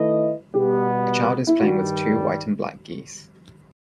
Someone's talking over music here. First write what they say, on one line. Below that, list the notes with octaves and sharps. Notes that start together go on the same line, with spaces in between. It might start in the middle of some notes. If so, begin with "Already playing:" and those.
A child is playing with two white and black geese.
Already playing: D#3 A3 E4 B4 D#5
B2 G3 B3 G4
E4
G2 D#3 G3 F#4